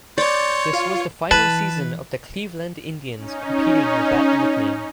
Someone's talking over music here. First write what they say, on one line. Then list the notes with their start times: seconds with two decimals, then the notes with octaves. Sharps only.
This was the final season of the Cleveland Indians competing with that nickname.
0.18 C#5 D5 C6 G6 A6
0.73 F4
1.31 E3 B4 A5
3.17 C#4 D#4